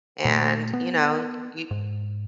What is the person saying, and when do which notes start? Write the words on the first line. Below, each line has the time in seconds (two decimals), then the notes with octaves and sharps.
and, you know, y
0.25 A#2 A3
0.73 B3
1.71 G#2